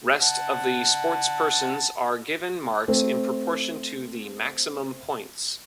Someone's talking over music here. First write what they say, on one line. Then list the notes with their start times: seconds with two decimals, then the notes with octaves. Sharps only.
Rest of the sportspersons are given marks in proportion to the maximum points.
0.20 F#5 A5
2.88 A3 C4